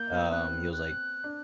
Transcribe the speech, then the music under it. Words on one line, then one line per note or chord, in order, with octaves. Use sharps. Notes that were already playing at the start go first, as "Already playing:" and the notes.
um, he was, like
Already playing: A#3 G6
B3
C4 F#6
F#6
D4